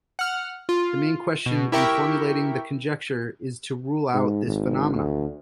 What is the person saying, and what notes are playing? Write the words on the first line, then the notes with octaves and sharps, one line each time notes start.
The main question in formulating the conjecture is to rule out this phenomenon.
F#5 F6
F4
B2
E4 G4 A#4 E5 G5 C#6
G#2
G#1
D2